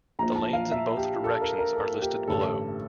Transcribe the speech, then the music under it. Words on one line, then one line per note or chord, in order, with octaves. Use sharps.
The lanes in both directions are listed below.
A#1 A#2 F3 A#5
A5
F5
E5
G4
A4
A#4
A#4
A4
G4
A1 G2 D3 G3 A4